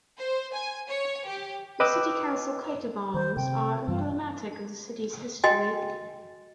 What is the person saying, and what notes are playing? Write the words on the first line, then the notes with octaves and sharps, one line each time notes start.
The city council's coat of arms are emblematic of the city's history.
C5
G#5
C#5
G4
B4 D#5 G5 D6 E6 F#6
D#3 C5
C3 G5
G2 E3 G3 F4
F#4 D#5 G5 G#5